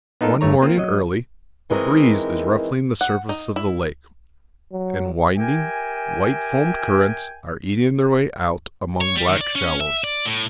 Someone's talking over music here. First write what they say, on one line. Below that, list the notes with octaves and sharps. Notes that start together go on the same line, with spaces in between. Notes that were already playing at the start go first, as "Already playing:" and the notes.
One morning early, a breeze is ruffling the surface of the lake, and winding, white-foamed currents are eating their way out among black shallows.
B3 D#4 F4 A4 A#4
G1 G2 A3 C#5 A#5
A#3 C4 F4
F#3 D#5
D#3 E3 G#3 C4 A#4
F#5
D#4
E4
F#3
G4 A#4 E5 G5 G#5
C#5
G3
D#3
D5
C#4
E5
D5
A2